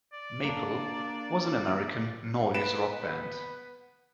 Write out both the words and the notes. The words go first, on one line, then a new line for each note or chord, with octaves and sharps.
Maple was an American noise rock band.
D5
A#3 D4
B3 B4 D7 E7